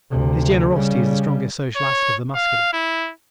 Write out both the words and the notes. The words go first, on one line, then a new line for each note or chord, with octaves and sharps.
His generosity is the strongest social asset of the Muscular.
D2 C3
C#3 G3
C#5
F5
E4